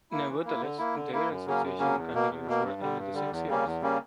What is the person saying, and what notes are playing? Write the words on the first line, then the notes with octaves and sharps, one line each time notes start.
Nevertheless, their association continued for another six years.
A#3 E4
E3
A#3 E4
D3
A#3 E4
D3
A#3 E4
F#2
C#3 F#3 A#3 C#4
F#2
C#3 F#3 A#3 C#4
E2
B2 A#3
E2
B2 A#3
G2
D3 G3
G2
D3 G3
E2
C#3 G3 A#3 C#4
E2
C#3 G3 A#3 C#4